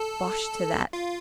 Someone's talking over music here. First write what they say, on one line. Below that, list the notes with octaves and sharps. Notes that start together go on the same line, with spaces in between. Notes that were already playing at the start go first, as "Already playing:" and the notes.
"Bosh to that!"
Already playing: A4
F4